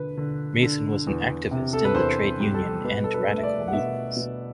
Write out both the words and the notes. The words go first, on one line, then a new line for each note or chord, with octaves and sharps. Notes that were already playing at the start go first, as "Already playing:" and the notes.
Mason was an activist in the trade union and radical movements.
Already playing: D3 B4
D3
D3
E2
C3
A4
B4
E2 C5
G3
A4
B2 B4
A4
B4
A3
E5
D5
F#5
B2 E5
B2